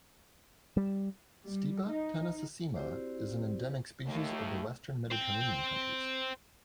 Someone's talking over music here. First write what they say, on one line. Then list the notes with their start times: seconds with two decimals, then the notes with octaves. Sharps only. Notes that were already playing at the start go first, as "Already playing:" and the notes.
"Stipa tenacissima" is an endemic species of the Western Mediterranean countries.
0.77 G3
1.44 G3
1.88 D#4
2.75 C4 E4 F#4 G4 C5 D5
4.05 D#2 A3
5.11 C5 G5